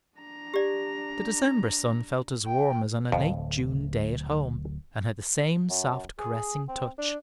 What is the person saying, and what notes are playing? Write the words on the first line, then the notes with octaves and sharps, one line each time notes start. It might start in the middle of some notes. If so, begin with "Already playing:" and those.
The December sun felt as warm as on a late June day at home, and had the same soft caressing touch.
D4 A#5
G4 D5
G5
D1 F2 A2
F#2
G#4
C4
D4